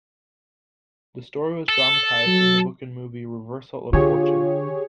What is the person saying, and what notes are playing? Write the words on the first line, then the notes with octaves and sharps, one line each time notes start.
The story was dramatized in the book and movie, "Reversal of Fortune".
A4
F#3
D3 F4 G4 G#4 C#5